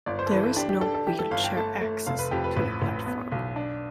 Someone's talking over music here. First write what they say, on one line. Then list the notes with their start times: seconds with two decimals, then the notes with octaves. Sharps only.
There is no wheelchair access to the platform.
0.06 G1 D5
0.19 C5
0.26 A4
0.31 E3 B4
0.44 A4
0.56 D4 G4
0.69 G4
0.81 D4 A4
0.94 A4
1.07 E3 G4
1.19 A4
1.31 G1 F5
1.44 G5
1.57 A3 A5
1.81 A3
2.06 F1 F5
2.19 B4
2.31 F2 G4
2.44 B4
2.56 A1 B4
2.82 A1
3.06 B3
3.32 B1
3.56 D4